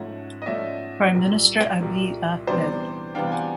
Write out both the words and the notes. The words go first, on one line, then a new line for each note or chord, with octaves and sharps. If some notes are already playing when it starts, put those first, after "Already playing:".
Prime Minister Abiy Ahmed.
Already playing: G#2 F3 A3 C#4 E5 F#5
D#5
G#2 F3 A3 C#4 D5 E5
C2 A#2 G3
C2 A#2 G3
C3 E3 G3 B3 D4 C5 D5
C3 E3 G3 B3 D4 F5 G5
F#5 G#5